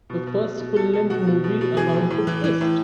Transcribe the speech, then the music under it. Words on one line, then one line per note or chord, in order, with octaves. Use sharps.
The first full-length movie about the Twist!
B2
B2
B2
B2
B2 A4
B2 A4
B2 F#4
B2
B2
B2
E3 G#4
A2
A2
E3
E3
A2